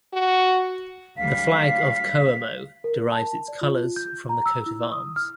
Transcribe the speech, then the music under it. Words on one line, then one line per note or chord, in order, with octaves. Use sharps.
The flag of Coamo derives its colors from the coat of arms.
F#4
D2 F#3 G3 F5 B6
A#4
A5
D5
F4
G6
A#5
E6
E4
D#6
F6